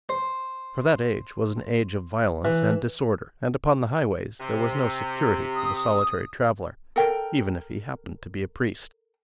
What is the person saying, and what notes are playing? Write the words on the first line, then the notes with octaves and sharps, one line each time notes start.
For that age was an age of violence and disorder; and upon the highways there was no security for the solitary traveler, even if he happened to be a priest.
C5
E3
C3
D#6
A4 A#4 G5